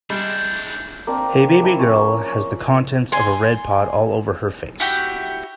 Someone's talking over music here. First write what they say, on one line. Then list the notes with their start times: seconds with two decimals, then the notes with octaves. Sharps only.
A baby girl has the contents of a red pot all over her face.
0.10 G3 G#3 D4 E4 G6
1.07 A#3 C4 D4 A#4
1.62 D4 E4 A#5
1.78 F3 C#4 F4 C#5
3.12 G#5 C6
4.80 E4 F#4 G4